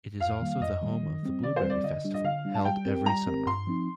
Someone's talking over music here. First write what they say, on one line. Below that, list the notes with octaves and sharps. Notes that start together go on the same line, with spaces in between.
It is also the home of the blueberry festival held every summer.
F2 F5
D#3 G3 A#3
F2 D#5
D#3 G3 A#3
D#3
G3 C4
D#3 D5
C5
G3 C4
D5
D3 D#5
G3 D4
D#5
D3 F5
G3 D4
A5
G3 G5
C4 G4 A#4
G3 A#5
C4 G4 A#4
G2 C6
F3 C4 D#4